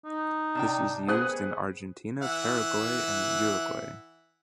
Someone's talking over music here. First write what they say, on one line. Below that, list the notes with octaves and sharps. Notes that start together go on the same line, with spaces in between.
This is used in Argentina, Paraguay and Uruguay.
D#4
C3 D4 G5
B3 G#4 C5 D#6 F#6
E3 E5 F#5